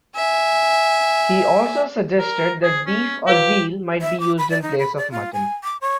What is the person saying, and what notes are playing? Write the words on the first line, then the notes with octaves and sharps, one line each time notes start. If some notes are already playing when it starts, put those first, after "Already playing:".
He also suggested that beef or veal might be used in place of mutton.
E5 G#5
A#4
G#4
C#4
F4 G4 B4 F5
E5
D6
B5
D5
D#4
B5
D5
F4
G#5
D6
C#5